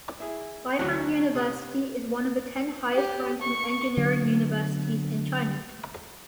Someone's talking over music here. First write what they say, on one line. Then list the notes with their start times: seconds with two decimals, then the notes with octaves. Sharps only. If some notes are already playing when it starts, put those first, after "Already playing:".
Beihang University is one of the ten highest ranking engineering universities in China.
0.20 E4 G#4
0.79 D2 E3 F#3 C#4 F#4 F#6
1.34 C3 D#6 F#6
2.95 G4
3.42 C#6
3.97 D3 F#3 B3